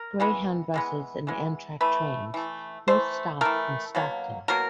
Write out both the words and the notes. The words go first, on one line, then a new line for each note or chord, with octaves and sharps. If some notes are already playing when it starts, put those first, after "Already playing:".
Greyhound buses and Amtrak trains both stop in Stockton.
Already playing: A#4
E3 G#3 B3
E3 G#3 B3
E3 G#3 B3
E3 A3 B4
E3 A3
E3 A3 C5
E3 A3 A#4
B2 F#3 A#3
B2 F#3 A#3 A#4